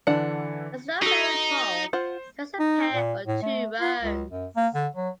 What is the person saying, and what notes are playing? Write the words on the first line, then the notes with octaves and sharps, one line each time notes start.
It's not very tall - just a pair or two rows.
D3 E3 D4 F#5 C#7
D#4 F#4 A4 B6 D7
F4 C5 F#5
D#4
A#2
A2
A3
F4
C#2
F#2
A#3
D3
F#3